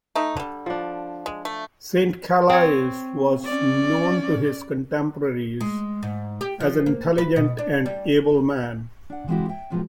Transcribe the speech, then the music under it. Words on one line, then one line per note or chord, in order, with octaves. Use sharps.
St-Calais was known to his contemporaries as an intelligent and able man.
A3 D#4
D3 G3
F3 D4
G#3
A3
C4 C#5
C#4 D5
G#3
G#2
G4
F3
A#3
B4
B2
D4
G3
D4 F#5
E3 G#3 C4 E4 F#4 G4
E5 G5
A2 C3 F3 F#3 G#3 B3